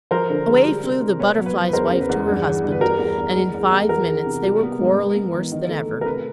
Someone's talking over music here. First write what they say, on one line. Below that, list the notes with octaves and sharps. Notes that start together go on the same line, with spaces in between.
Away flew the Butterfly's Wife to her husband, and in five minutes they were quarrelling worse than ever.
F3 A#4 C5
D3
G#3
G3
C3
C3
B3 B4 C#5
F#3
B4
B3
B4
E2 A#4 C5
C#3
B4
E2
G2
E3
G2
B4
G3 A#4
E2
E2
G#3
E2
E2
E3 A#4
E3
C3
G3
B3
G#2
B3
B3
E3
D#3
A3
A3
A#4
C3 B4